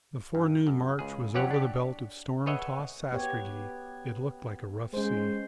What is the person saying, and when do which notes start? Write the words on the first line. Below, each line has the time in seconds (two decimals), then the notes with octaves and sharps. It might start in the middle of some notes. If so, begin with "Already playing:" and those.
The forenoon march was over the belt of storm-tossed sastrugi; it looked like a rough sea.
0.35 G2
0.67 F#2
0.99 C#2 G#4
1.34 F2 F#3 C#4 G4 C#5 F#5
1.51 D4 G4
2.46 G#4 B4 C#5 D#5 E5 F#5
3.12 B3 G4 C#5
4.94 G#3 C#4 C5